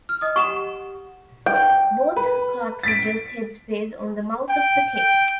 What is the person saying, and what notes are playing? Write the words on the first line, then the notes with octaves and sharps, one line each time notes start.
Both cartridges headspace on the mouth of the case.
F6
D#5 D#6
G4 F#5 C#6 E7
G5
B4
A6 B6 D7
G5
G5